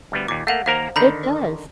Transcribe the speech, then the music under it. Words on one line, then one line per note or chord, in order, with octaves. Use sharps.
It does.
D2 G3 B3
D#2 A#2 D6
A3 A#3 F5 F#5
D#2 A#3 A#4 C5 F5
D3 D#3 A#5 B5 G6